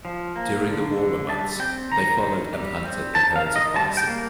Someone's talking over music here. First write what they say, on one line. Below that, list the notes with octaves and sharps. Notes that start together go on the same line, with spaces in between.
During the warmer months, they followed and hunted the herds of bison.
F3
A#3
D3
D3
G3 A5
C4 G5
D#3 A#5
D#3
G3
C4
D#3 A5
F5
D#3
D#5
G3 A5
G5
A#3